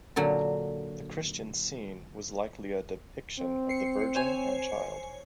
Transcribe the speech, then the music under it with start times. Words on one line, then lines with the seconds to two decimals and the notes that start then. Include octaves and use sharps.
The Christian scene was likely a depiction of the Virgin and Child.
0.16 A#2 D3 F#3
3.39 C4
3.69 C7 C#7
4.15 C5 C#5 G#5